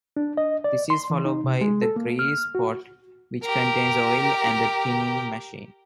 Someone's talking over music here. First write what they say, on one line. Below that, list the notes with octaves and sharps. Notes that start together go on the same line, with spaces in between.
This is followed by the grease pot, which contains oil and a "tinning machine".
D4
D#5
D5
C6
E3
D#4
C3
G#3
A4
A#3
F6
F#4
G4 A#4